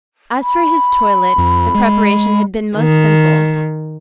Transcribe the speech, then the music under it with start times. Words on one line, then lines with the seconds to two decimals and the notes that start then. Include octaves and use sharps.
As for his toilet, the preparation had been most simple.
0.42 B5
1.38 F2
1.75 G#3
2.77 D#3